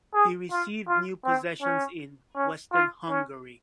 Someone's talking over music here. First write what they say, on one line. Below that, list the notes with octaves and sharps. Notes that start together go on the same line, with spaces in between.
He received new possessions in western Hungary.
G#4
F4
F4
C4
C#4
C#4
F4
C#4